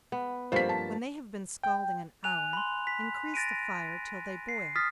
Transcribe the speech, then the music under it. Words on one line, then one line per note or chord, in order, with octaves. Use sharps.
When they have been scalding an hour, increase the fire till they boil.
B3
G2 F3 A#3 C5 B6
A5
G5
G#5 F#6 F7
B5 C6
B6
A6 A#6 D7 D#7
C7
D#6 F6 A6 B6